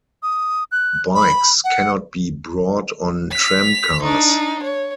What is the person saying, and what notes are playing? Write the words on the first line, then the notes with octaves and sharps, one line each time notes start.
Bikes cannot be brought on tram cars.
D#6
F#6
B5
F#5
B6 F7
D4 D#4
C#5